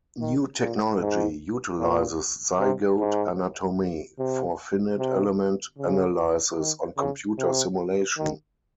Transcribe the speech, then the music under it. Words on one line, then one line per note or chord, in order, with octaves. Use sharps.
New technology utilizes Zygote anatomy for finite element analysis and computer simulation.
D#3
A#2
G#2
A#2
C3
G#2
C3
C3
C#3
D#3
C#3
C3
D#3